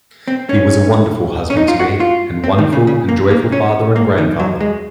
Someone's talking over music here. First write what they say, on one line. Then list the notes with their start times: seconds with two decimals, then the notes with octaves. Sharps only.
He was a wonderful husband to me, and wonderful and joyful father and grandfather.
0.28 C4
0.49 C#4
1.50 C#4
1.57 D#4
1.68 F4
1.79 F#4
2.00 F4
2.44 C4
2.58 D#3
2.73 C#3
2.87 C#3
3.09 A#3
3.31 A#3
3.52 C#4
3.96 A#3
4.18 D#3
4.40 F#3
4.60 G#3